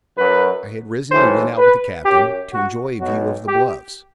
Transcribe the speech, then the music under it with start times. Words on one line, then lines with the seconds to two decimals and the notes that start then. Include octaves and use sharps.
I had risen and went out with the Captain, to enjoy a view of the bluffs.
0.16 F#2 F#3 B4
1.10 B1 A2 E3 C5
1.58 B4
2.05 F#2 F#3 G4
2.53 F#4
3.00 B1 B2 F#3 F#4
3.47 G4